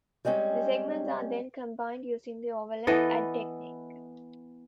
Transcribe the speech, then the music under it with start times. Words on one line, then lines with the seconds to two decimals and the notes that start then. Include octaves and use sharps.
The segments are then combined using the overlap add technique.
0.25 G3 G#3 C4 C#4
2.87 E3 B3 A4 D#5